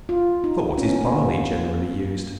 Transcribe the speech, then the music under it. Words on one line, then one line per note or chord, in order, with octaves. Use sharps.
For what is Barley generally used?
F4
D#4
C#4
B3
A#3